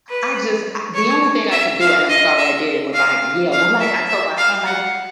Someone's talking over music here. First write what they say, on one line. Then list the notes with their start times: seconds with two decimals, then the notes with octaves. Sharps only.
I, just, a the only thing I could do and I'm sorry I did it was, like, yelled. I'm like I told my son, like,
0.09 B4
0.95 C#5
1.52 E5
1.80 F5
2.10 D#5
2.38 E5
2.94 F5
3.52 F5
3.81 E5
4.09 E5
4.38 F5
4.66 F#5